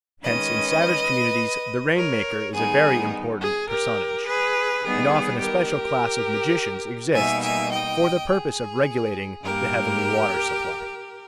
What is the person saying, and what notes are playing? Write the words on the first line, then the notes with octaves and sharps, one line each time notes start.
Hence in savage communities the rain-maker is a very important personage; and often a special class of magicians exists for the purpose of regulating the heavenly water-supply.
D#3 G#3 C#4 B4 D#5
A#4 C#5
D#3 G3 B3 D#4 G#4
G#4
G4 A#4
G#4 B4
D#3 G3 B3 D#4 G#4
G4 A#4
B2 G3 A#3 D#4 E5 G#5
E5 G#5
D#5 G5
G#4
G2 G3 A#3 G4 A#4